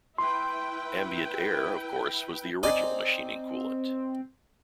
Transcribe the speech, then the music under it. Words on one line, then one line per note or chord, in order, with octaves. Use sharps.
Ambient air, of course, was the original machining coolant.
E4 B4 G5 C6
C4 D#4 D5 G#5